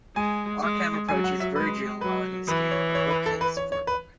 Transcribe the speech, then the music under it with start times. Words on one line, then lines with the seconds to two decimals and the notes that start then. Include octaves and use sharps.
Arkham approaches Vergil while he is scanning a bookcase for a book.
0.16 G#3 G#5
0.63 G#3
1.09 F#3 G#5
1.24 F#5
1.40 E5
1.56 G#3 B4
2.01 F#3 B4
2.48 E3 B4
2.71 C#5
2.95 C#5
3.10 B4
3.26 A4
3.41 B4
3.57 C#5
3.72 C#5
3.87 B4